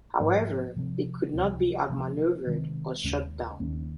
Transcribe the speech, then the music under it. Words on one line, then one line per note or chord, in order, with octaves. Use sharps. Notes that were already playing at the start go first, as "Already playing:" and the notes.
However, they could not be outmaneuvered or shot down.
G#2 F3 A#3
C3 F3 C4
C#2 C3 F3 C4
C3 F3 A#3 C#4
C3 D#3 G#3 C4
D#2 C#3 G#3 C#4
D#2 D#3 A#3 C#4